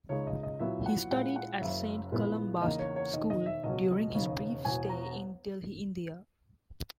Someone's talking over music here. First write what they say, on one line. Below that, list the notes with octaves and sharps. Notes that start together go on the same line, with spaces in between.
He studied at Saint Columba's School during his brief stay in Delhi, India.
C#2 C#3 G#3 D#4 C#5
D#5
D#5
A#2 F#3 B3 E4 E5
F#5
A#2 G#3 C#4 E4 F#5
F#5
F#1 F#2 C#3 E5
A#1 A#2 G#3 B3 E4
E2 C#3 E3 A#3 D#4 D#5
C#5
C#5
E1 D#2 D#3 D#5
D#5
E5
C#2 B2 F#3 C#4 D#5
E1 D#2 C#3
E1 E2 B2 G#5
A#5